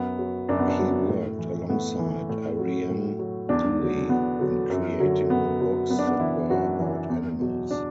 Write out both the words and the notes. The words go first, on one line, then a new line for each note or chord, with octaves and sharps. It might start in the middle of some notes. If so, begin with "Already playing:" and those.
He worked alongside Ariane Dewey in creating the books that were about animals.
Already playing: F#2 B3
F#3
F#2 D4
B3
D4
F#3
A2
E3
A2 B3
E3
A2
F#3
A2
F#3
E2 D4
D3 F#3
E2 B3
D3 F#3
F#2
D3 F#3
F#2 B3
D3 F#3
F#2 B3
D4
B3
E3 E4
F#2 F#4
E3
E2
B2 F#3
D4